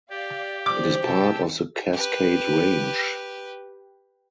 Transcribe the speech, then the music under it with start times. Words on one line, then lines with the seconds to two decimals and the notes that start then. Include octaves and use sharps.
It is part of the Cascade Range.
0.10 G4 D5 F5
0.66 F3 G3 D5 D6
1.03 C3 D#3 F#4 A5 E6
1.93 G4 B4